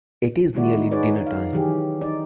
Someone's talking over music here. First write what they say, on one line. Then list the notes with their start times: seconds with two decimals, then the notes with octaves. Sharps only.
It is nearly dinner-time.
0.54 D#3 G#3 E4 F#4 D5
0.73 D#4
0.91 D#4 F#4 G#4 B4 C#5 D5
1.27 F5
1.52 D#3 E3 F#3 G4 G#4
2.01 D#4 D5